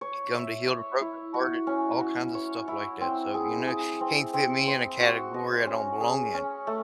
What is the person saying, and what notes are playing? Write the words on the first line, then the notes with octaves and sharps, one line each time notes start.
He come to heal the brokenhearted, all kinds of stuff like that, so, you know, can't fit me in a category I don't belong in,
C#5
E5
C#5
E4
F#4
C#4
F#4
C#5
E4
C4
G#4
G#4
C4
C4
C5
F#4
D#5
C#4
G#4
C#4
A3